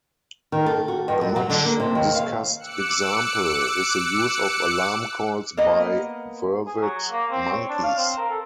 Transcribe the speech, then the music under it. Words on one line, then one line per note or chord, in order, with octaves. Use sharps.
A much discussed example is the use of alarm calls by vervet monkeys.
D#3
A4
F#4
G2
F#2
F#3
D3
A#3
C3
D#2
F5
D6 E6 F#6 C#7
A#3 B3 D#5
G#4
F#3
A#3
C4
C#5
D4
F5
C4
A#4
A4